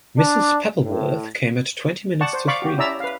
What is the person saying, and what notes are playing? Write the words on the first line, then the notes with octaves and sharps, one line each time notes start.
Mr. Pappleworth came at twenty minutes to three.
D4
A2
D5 F#5 A5 C#6
C5
D5 F5 B5 C#6 D6
F#4 G4
C#4 E4 D5 E5 A#5 E6
B4 F5